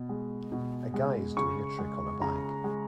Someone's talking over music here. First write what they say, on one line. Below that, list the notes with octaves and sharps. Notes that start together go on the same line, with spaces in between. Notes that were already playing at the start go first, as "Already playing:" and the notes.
A guy is doing a trick on a bike.
Already playing: B2
G#3
B2
G#3
C#3 C#6
G#3
C#3 A#5
G#3